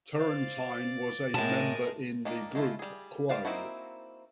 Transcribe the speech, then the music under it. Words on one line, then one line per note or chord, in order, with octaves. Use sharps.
Turrentine was a member in the group Quo.
C5 D5 F5
A2 G#3 A#4 A5
D#3 A#3 D4
G#3 A3 B3 E4 F4
G3 G#4
G3 C5 D5 F5 F#5
A#3 C4 D#4 E4 F#4